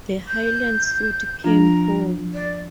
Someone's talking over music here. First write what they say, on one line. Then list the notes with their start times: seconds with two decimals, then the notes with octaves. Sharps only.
The Highland suit came home.
0.28 G6
1.44 F3 D4 F4 A#5
2.34 D5